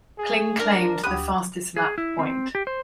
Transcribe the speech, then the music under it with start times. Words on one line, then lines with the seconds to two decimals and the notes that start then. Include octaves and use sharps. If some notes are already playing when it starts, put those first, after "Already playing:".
Kling claimed the fastest lap point.
0.18 G#4
0.60 D4 A#4
1.04 D2 G4 B5 D#6 F#6
1.76 G#4
1.98 E4
2.19 C4
2.55 G4
2.67 C5